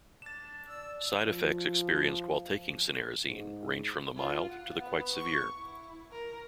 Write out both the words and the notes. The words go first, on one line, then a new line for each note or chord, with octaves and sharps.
Side effects experienced while taking cinnarizine range from the mild to the quite severe.
D4 A6 E7
D5 E6
F3
G#2
F4
F#5
B3
C#6
E4
A#4